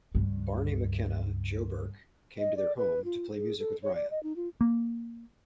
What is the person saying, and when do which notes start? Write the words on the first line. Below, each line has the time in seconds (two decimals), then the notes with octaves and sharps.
Barney Mc Kenna, Joe Burke came to their home to play music with Ryan.
0.15 C#2 G2
2.39 D#5
2.57 D5
2.78 B4
3.05 F4
3.37 G#4
3.58 A4
3.83 C#5
3.95 D5
4.11 D#5
4.23 D#4
4.36 F4
4.61 A#3